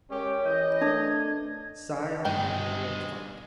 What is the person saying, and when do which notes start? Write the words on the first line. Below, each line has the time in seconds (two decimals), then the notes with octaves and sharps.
Zion Memorial Fund.
0.10 G#3 C#4 G4 A#4 C#5
0.45 E3 D#5 G6
0.81 A3 D4 A4 G#6
2.25 G1 B2 D#3 G#3 G5